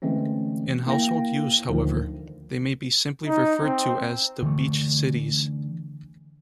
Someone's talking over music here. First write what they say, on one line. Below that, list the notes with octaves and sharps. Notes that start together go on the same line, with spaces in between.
In household use, however, they may be simply referred to as the beach cities.
D3 E3 G#3 A3 C4 C#4
A#3 E4 F5 G5 A#6
D2 D3 D#3 F3
D#4
C4
D3 E3 A3